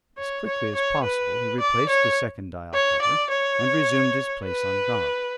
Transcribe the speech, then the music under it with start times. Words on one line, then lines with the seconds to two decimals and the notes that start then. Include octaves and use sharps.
As quickly as possible he replaced the second dial cover, and resumed his place on guard.
0.18 C#5
0.47 C#5
0.75 C#5
1.03 B4
1.60 D5
1.89 C#5
2.74 C#5
3.02 D5
3.30 C#5
4.44 B4